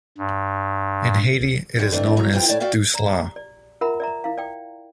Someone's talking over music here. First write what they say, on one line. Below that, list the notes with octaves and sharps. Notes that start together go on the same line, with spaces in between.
In Haiti, it is known as "douce lait".
G2
F#2 D3 G3
D#3 E3 A3 C4 D4
E2 F#3 G#4 C#5 A#5
A2 E3 C4 F4 G4 G5
A2 C#5 D5 A5
F#4 D5 E5 F5 G5
D5 A#5
D5
F4 A#4 E5 F#5 A#5 B5
D5 E5 A#5
E4 F5
D5 G5